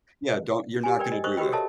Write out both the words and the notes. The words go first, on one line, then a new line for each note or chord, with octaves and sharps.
Yeah, don't you're not gonna do that.
G4 G#5
A#4 B4 D5 G5
D#5
A#4 C5 D#5 C#6 D#6
F#4 G4 A#4 B4 D#5 G5
A4 A#4 C#5 D#5 E5 A5